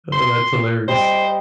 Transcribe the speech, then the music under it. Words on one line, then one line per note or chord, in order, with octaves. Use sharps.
Oh, that's hilarious.
C6
G3 C5 D#5